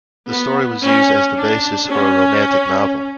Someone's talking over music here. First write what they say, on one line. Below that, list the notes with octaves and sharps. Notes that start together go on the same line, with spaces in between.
The story was used as the basis for a romantic novel.
B3
C#4
D4
C#4